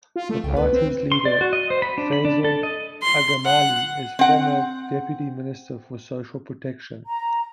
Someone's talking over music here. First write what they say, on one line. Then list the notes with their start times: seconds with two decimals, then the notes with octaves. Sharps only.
The party's leader Fazail Agamali is a former deputy minister for social protection.
0.16 F4
0.29 E3 F3 A3
0.44 C#2 G5
0.56 D2 A3 B3 B4
0.73 C4
1.12 C6
1.25 D5
1.41 F#4
1.53 D#5
1.70 C5
1.82 B5
1.98 D4
2.12 B5
2.25 D4
2.45 A4
2.63 D#5
3.02 C6
3.45 F#5
4.19 C4 F#5
7.06 A#5